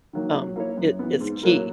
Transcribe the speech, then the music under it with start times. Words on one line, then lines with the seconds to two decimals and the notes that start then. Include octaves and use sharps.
um, i is key.
0.13 D#3 F#3 A#3
0.34 F#3
0.56 A#3 E4 A#4 C#5
0.77 F#2
0.99 E3 B3
1.20 G#2
1.43 F#3 A#3 E4 A#4